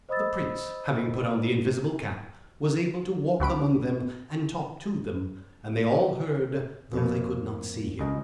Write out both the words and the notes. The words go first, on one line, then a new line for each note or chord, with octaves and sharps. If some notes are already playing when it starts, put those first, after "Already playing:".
The prince, having put on the invisible cap, was able to walk among them, and talk to them; and they all heard, though they could not see him.
C5 D#5 B5 D#6 E6 A6
C#2 F#4 B5 D7
F2 A#2
C#2 D#5